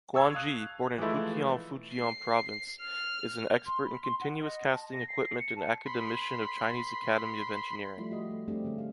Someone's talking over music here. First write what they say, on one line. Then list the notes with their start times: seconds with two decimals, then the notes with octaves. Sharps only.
Guan Jie, born in Putian, Fujian Province, is an expert in continuous casting equipment and academician of Chinese Academy of Engineering.
0.14 A5 C#6 E6 G#6
0.35 F5 D#6 F#6
0.98 E3 F3 G#3 A3 E4
1.93 C7
2.80 F6
3.66 C6
3.84 B5
4.02 C6
4.21 F#5
4.39 D#5
4.73 A5
4.91 A#6
5.08 C7
5.39 C#7
5.56 A5
5.86 B5 C6
7.97 F3 G3 A3 E4 F4
8.11 F#4 G4 D#5
8.31 A3
8.48 G3 A3 C4 D4 G4
8.64 D3 C#4 G#4
8.78 G4 F5